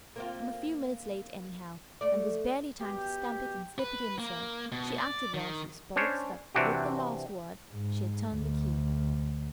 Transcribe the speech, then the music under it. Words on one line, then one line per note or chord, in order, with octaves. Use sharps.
"I'm a few minutes late, anyhow, and there's barely time to stamp it and slip it in, so!" She acted while she spoke, so that with the last word she had turned the key.
A#3 C4 F4
A3 D5
B2 G4
B4
A#3
B2
D5
D#3
C#4 D4 C5 C#5
C3 E3 D4 F#4 G4
G#2
D2